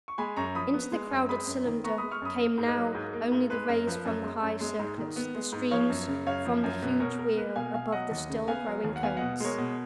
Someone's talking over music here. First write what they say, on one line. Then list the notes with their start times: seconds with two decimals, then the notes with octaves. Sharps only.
Into the crowded cylinder came now only the rays from the high circlets, the streams from the huge wheel above the still growing cones.
0.08 C#6
0.18 G#3 G#5 B5
0.37 F#2 A#5 C#6
0.55 F3 B5 D#6
0.74 B3
0.92 G#3
1.11 F#2
1.29 G#3 B5 D#6
1.47 F#2
1.65 D#3
1.84 B3 A#5 C#6
1.98 G#3 B5 D#6
2.11 C#6 F6
2.22 F#2 B5 D#6
2.39 A#3
2.58 G#2
2.67 B4 D#5
2.76 F#3
2.95 G#2
3.13 A#3
3.32 G#2
3.50 G#3 B4
3.68 F#2 A#4
3.87 F3 B4
4.05 F#2
4.24 G#3
4.42 F#2
4.61 G#3
4.79 G#2
4.98 D#3
5.16 B3
5.34 G#3
5.52 G#2
5.71 F3 C#5 F5
5.90 F#2
6.08 C#3
6.26 F#2 C#5 F5
6.45 F3
6.64 F#2
6.82 B2 B4
7.00 B2 A#4 C#5
7.19 A#3 A#4
7.37 A#3 B4
7.56 B2 F5 G#5
7.74 B2 F5 G#5
7.92 F#3 D#5 F#5
8.11 D#2
8.29 C#3
8.47 B3 F5 G#5
8.66 F#3
8.84 D#2
8.96 F#5
9.03 B3 F5 G#5
9.17 B2 D#5 F#5
9.40 G#3 A#4 C#5
9.58 B2